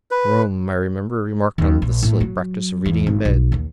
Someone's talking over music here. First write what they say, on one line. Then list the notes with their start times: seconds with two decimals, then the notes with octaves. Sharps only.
Rooum, I remember, remarked on the silly practice of reading in bed.
0.11 B4
1.58 D#2
1.82 A#1
2.03 A2
2.21 F#3
2.86 E2
3.07 G#1
3.25 B1
3.52 D#2